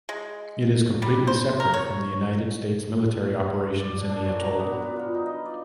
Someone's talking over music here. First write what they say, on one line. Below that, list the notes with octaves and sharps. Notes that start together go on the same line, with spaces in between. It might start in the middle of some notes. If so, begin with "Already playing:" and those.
It is completely separate from the United States military operations in the atoll.
G#3
G3
C5
A#4
C#5
D5
D3
D4
F#2
A#5
B3
G3
F4
D#4
D#5
D5